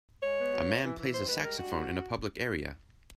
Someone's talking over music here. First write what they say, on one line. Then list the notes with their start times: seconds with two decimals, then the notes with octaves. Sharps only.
A man plays a saxophone in a public area.
0.23 G#3 C#5
0.39 B3
0.53 F#3
0.68 A#3
0.84 E3
0.98 E3
1.14 G2 C5
1.29 G#3 B4
1.44 G3 A#4
1.59 D4 F#4
1.74 D3